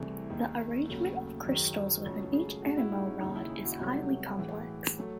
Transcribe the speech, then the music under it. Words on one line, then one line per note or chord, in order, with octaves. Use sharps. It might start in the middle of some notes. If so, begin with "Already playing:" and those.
The arrangement of crystals within each enamel rod is highly complex.
Already playing: C2 C3 E3 A3 G#4
D#2 D#3 G#3 G#4
D#2 C#3 F#3 A3
F#2 D#3 G#3
C#2 C#3 F#3 A3 A4
G#4
A2 G#3 F#4
E4
D#4
C#4
D#2 C#3 G#3 D#4
E4
G#4
F#4
C2 C3 F#3 A3 F#4
A2 E3 G#3
F#3 A3